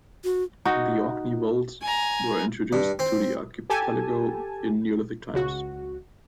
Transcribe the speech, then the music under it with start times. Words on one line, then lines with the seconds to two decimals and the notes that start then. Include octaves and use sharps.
The Orkney voles were introduced to the archipelago in Neolithic times.
0.24 F#4
0.65 D#4 F#4
1.82 G#5 A#5
2.73 G2
2.99 C4
3.70 G4 A4 G#5 A5
5.34 C#2 F#4